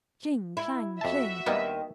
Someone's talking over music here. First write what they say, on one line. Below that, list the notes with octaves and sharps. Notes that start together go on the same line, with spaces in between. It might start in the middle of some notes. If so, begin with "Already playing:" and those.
Cling, clang, cling!
E4
F2 F#4 E5 A5
D#2 D#3 G3 A#3 B3